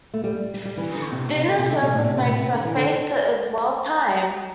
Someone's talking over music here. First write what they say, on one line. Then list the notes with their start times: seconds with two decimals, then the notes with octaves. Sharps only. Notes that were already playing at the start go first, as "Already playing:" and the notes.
The inner circles may express space as well as time.
0.14 A3
0.24 G3
0.54 G3
0.65 G3
0.77 E3
0.95 D3
1.12 C3
1.29 C3
1.48 D3
1.59 C3
1.71 D3
1.82 C3
1.93 A2
2.04 C3
2.17 C3
2.28 A2
2.36 C3
2.52 D3
2.65 E3
2.76 D3